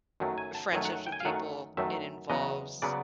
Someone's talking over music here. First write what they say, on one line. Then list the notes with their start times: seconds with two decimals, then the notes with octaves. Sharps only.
friendships with people. It involves
0.20 F#2 D#3 F#3 A3
0.38 G#5
0.55 A5
0.72 F#2 D#3 F#3 A3 G#5
0.85 F#5
1.07 G5
1.12 G#5
1.20 F5
1.25 F#2 D#3 F#3 A3 F#5
1.77 F#2 D#3 F#3 A3 E5
2.30 E2 C#3 F#3 B3 D#5
2.82 C#3 F#3 B3 D5